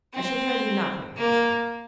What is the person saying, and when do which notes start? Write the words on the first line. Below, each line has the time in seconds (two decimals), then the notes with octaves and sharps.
"I shall tell you nothing," I decided.
0.14 C4
1.17 A#3